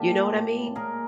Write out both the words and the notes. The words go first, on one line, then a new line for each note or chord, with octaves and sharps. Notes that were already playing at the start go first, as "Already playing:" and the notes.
You know what I mean?
Already playing: A#2 G4 A4
A3
A2
G#3
A#2 G#4 A#4